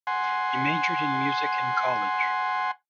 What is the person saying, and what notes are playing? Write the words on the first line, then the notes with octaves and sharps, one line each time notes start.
He majored in music in college.
F#5 G#5 C6